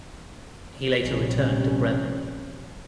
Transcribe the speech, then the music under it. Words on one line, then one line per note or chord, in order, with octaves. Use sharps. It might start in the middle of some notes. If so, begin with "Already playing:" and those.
He later returned to Bremen.
A#1 C3 G3 C#4